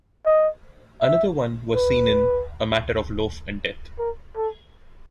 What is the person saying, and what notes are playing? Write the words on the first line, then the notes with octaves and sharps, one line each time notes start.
Another one was seen in "A Matter of Loaf and Death".
D#5
E5
B4
A#4
A4